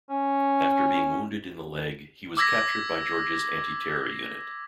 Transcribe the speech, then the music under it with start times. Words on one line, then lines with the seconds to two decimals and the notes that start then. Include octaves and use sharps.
After being wounded in the leg, he was captured by Georgia's anti-terror unit.
0.10 C#4
2.37 D6 E6 G#6 A#6 B6